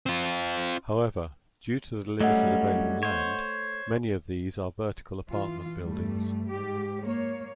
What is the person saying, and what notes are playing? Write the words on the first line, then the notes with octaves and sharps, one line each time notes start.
However, due to the limited available land, many of these are vertical apartment buildings.
C4 F4
F#3 G3 A3 C#4 D#5 F#5
C5 C#5
E3 F4
G2 G3 A3
G#2 G4
A#3 C#5